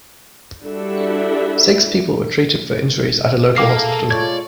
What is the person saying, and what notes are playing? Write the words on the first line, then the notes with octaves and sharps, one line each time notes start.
Six people were treated for injuries at a local hospital.
G3 D4 E4 F#4 A4 E5
A#3 E4 G#4 A4 F5 G5 D6 C7
G#3 F4 C#5 D5 G#6